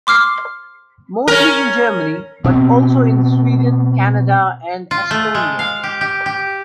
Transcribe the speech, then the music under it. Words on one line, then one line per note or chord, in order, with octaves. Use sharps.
Mostly in Germany, but also in Sweden, Canada and Estonia.
C6 D6 F6 C7
C#4 A#4
B2 C4
F4
A3
G#3
F5
G4
G4
G4